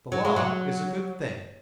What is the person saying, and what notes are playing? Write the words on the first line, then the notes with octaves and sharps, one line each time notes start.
The Law is a good thing.
F#3
G#3
F#3